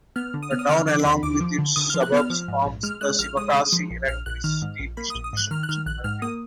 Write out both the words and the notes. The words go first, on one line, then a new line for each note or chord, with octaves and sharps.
The town along with its suburbs forms the Sivakasi Electricity Distribution Circle.
B3 F6
D3
D#6
B3 F6
D#6
D3 F6
F3 D6
D#2 B5
D#2 D6
F3
D3
D3 D#6
F6
F3
F#6
B3 F6
F3
G#2
A#1
G#3 F6
G#3 F#6
A#1 F6
G#3 D#6
G#3
F3
A#1
A#1 F6
A#1 F#6
D#3 F6
G#2
A#1
A#3 B5
D#6
A#1
D#6
G#2 F#6
D#3 F6
F#6
D#3 F6
A#1 F#6
G#2 F6
A#3 D#6